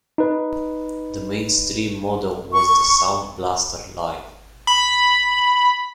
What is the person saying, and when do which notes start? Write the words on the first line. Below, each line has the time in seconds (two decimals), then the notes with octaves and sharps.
The mainstream model was the Sound Blaster Live!
0.18 D#4 B4
2.53 C#6
4.67 B5